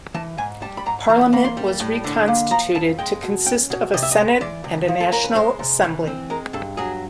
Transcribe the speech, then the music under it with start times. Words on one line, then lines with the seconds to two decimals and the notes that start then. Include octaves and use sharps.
Parliament was reconstituted to consist of a Senate and a National Assembly.
0.14 E3 A5
0.38 G#2 G#5
0.62 G3 A5
0.77 B5
0.86 G#2 A#5
1.09 E3 A#5
1.21 B5
1.33 A#3 B5
1.45 C6
1.57 G3
1.80 A2
2.04 D3
2.28 A#3
2.51 F3 A#5
2.75 F2 A5
2.99 G#3 G5
3.23 B2
3.46 C#4 G5
3.70 B2
3.94 C3 D#5
4.02 E5
4.11 D#5
4.17 G#3
4.41 E3 D5
4.64 C#2
4.88 F3
5.00 A4
5.12 C#4 A#4
5.24 B4
5.35 G#3 C5
5.59 C3
5.84 E3
6.07 C4
6.30 G#3 A#4
6.53 G2 A4
6.77 F#3 G#4